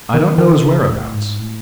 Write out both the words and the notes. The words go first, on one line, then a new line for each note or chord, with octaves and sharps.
I don't know his whereabouts.
D#3
D#3
C#3
A2
G#2
A2